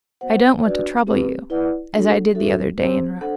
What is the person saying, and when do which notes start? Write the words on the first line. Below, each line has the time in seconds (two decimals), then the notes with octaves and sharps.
I don't want to trouble you--as I did the other day in Rome.
0.21 B3 F#4 C5 F#5
0.64 D4 F#4 B4 D5
1.07 C4 G4 B4
1.50 E4 B4 D5 F#5
1.93 A3 D4 F#4 A4
2.35 D4 F#4 A4 E5
2.78 C4 G4 C5
3.21 D4 A4 C5 F#5